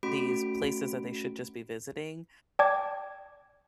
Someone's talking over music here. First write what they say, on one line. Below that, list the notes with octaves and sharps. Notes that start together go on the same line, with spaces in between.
these places that they should just be visiting.
A3 C#4 F#4 B5 D7
D5 G5 A5 D6 G#6